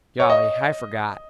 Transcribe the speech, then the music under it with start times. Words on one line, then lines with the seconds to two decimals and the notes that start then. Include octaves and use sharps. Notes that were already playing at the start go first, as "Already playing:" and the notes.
Golly, I forgot.
0.20 C#5
0.29 D#5